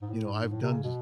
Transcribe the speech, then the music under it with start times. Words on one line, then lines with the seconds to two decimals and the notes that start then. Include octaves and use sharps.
you know, I've done j
0.02 G#2
0.09 A2
0.31 G#2
0.51 A2
0.62 C3
0.72 C#3
0.83 B2